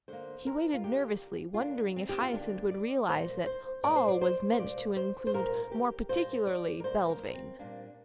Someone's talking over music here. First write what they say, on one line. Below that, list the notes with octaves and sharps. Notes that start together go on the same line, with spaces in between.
He waited nervously, wondering if Hyacinth would realise that "all" was meant to include more particularly Belvane.
D3 A#3 C5
A#4
F4
D3 A#3 G4
F4
D3 A#3 D4
C4
G4
F4
D3 A#3 D4
D5
A#2 G3 A#3 C5
C5
A#2 G3 A#3 D5
C5
D5
C5
C5
A#2 G3 A#3 D5
C5
C5
A#2 G3 A#3 A#4
G4
A#2 G3 A#3 C5
D5
A#4
A#2 G3 A#3 C5
A#4
C4
A#2 G3 A#3 D4